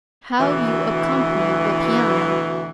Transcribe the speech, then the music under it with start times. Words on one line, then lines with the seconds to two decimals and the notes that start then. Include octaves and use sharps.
"How you accompany with piano?"
0.38 D2 B2 E3